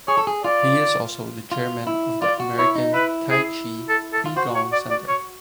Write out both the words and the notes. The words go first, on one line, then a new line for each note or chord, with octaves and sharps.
He is also the chairman of the American Tai Chi Qigong Center.
G#4 C#5
A4
G#4
F4 D5
F4
E4
F4 D5
F#4
E4 C#5
D#4
E4 B4
G#4
A4
A4
F4
F#4 C5
C#5
D5
D5
C#5